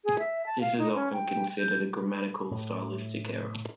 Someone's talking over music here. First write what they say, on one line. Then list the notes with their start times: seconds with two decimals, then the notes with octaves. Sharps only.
This is often considered a grammatical or stylistic error.
0.05 G#4
0.19 E5
0.46 A5
0.61 F5
0.78 D#4
0.95 C#4
1.13 G5
1.59 G6
2.51 A2